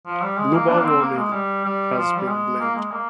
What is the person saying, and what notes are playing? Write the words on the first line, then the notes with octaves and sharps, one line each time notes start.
Global warming has been blamed.
F3
G3
G#3
A#3
D4
A#3
C4
A#3
G#3
G3
G3
F3
G3
G#3
A#3
G#3
A#3